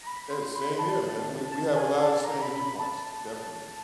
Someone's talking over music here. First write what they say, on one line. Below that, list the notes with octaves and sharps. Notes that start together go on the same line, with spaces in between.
Hey, same here, man we we have a lotta the same viewpoints, definitely.
A#5
B5
C6
B5
A5
A5
G#5
A5
A5
A#5
B5
B5
A5